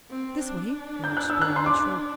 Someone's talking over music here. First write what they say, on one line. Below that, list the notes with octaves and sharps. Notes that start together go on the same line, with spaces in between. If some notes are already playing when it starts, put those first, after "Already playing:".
"This way," urged Bill Renshaw.
C4
D4
G6
F#6
E6
F#6
C6
D6